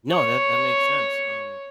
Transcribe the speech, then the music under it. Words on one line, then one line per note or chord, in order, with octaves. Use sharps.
No, that that makes sense, um,
C#5